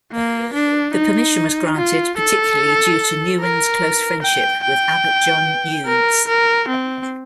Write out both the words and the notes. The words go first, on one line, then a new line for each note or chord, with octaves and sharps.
The permission was granted particularly due to Nouwen's close friendship with Abbot John Eudes.
A#3
D4
D#4
F4
A4
A#4
G5
G5
A#4
A#4
C4